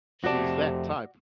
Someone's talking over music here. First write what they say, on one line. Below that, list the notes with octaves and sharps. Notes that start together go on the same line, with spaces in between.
She's that type.
F2 C3 A3 F#4 D5 A5